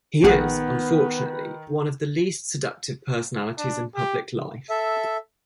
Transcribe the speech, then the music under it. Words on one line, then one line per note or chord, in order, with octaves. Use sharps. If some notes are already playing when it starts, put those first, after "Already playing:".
He is, unfortunately, one of the least seductive personalities in public life.
A#1 D#3 B3 G#4 B4 F#5
D4
G4
A4 E5